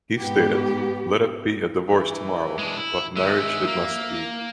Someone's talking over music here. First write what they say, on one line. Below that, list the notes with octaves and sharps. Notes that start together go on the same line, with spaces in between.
He stated, Let it be a divorce tomorrow, but marriage it must be!
G#2 B3 G4
E3
G#3 D4
E4
D#3 G#3 E5
A#3